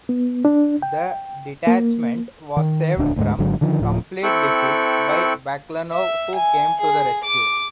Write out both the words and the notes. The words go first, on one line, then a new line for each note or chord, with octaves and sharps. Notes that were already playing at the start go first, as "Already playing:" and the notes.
The detachment was saved from complete defeat by Baklanov who came to the rescue.
B3
D4
G5
A#3
D#3
D#1 D2 D4
D2 G#2 G#3
G#1 G#2 D3 F#3
D3 D#3 F3
D1 A2 F3
C4 E4 A4 G5 C#6 F#6
E5
G#5
G#4
D6